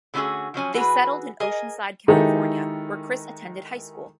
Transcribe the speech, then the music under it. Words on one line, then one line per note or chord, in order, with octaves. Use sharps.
They settled in Oceanside, California, where Chris attended high school.
D3 G3 A3 C#4 F#4 G#4
F3 F#3 C#4 G#5
E3 F#4 G#4 B4
G#4 A#4 D#5 G#5
D#3 G#3 D#4 E4 G4 A4